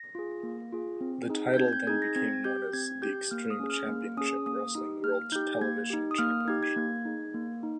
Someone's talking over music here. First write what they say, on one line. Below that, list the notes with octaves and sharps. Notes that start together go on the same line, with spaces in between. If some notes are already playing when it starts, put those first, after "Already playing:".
The title then became known as the Extreme Championship Wrestling World Television Championship.
Already playing: A#6
F4 G#4
A#3
F4 G#4
C4
D#4 G#4
G6
C4 G#6
G#6
G6
D#4 G#4 G#6
A#6
C4 G#6
G4 G6
C4 G#6
G4 G6
A#3 F6
D#6
C#4 G#4
F6
A#3 F6
C#4 G#4 D#6
A#3 D#6
D#4 G4
A#3 F6
D#4 G4 G6
A#3 G#6
D#4 G4
D#6
A#3 F6
D#4 G4 G#6
G#6
A#3
D#4 G#4
A#3
D#4